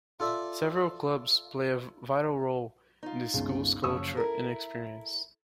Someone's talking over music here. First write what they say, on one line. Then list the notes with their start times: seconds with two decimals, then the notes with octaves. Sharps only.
Several clubs play a vital role in the school's culture and experience.
0.20 F4 A4 D5 E5
3.03 D#4 F4
3.33 G1 C#2
3.84 F#1 C#3 F3 C#5 D#6 E6
4.17 E4 A4 A#4